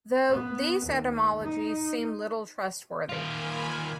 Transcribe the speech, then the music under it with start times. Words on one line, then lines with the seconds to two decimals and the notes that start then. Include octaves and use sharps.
Though, these etymologies seem little trustworthy.
0.30 B3
0.85 D#2
1.41 D#4
3.09 D#3 A#3 F4 G#5 B5